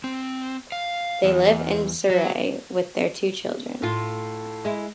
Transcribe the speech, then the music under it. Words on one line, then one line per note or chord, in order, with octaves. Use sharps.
They live in Surrey with their two children.
C4
F5
E2
F#3
A2 F4
G#3 E4